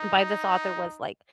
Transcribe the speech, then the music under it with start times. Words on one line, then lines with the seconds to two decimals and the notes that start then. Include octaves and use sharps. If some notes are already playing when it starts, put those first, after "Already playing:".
by this author was, like,
Already playing: D#4